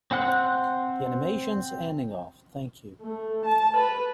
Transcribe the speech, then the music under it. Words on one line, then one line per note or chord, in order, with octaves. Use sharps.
The animation's ending of, Thank you.
C4 C5 F#5 F#6
A3
A5
B4